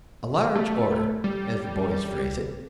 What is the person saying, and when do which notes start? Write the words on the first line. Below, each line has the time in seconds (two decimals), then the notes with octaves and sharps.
A large order, as the boys phrase it!
0.56 A3
1.24 G3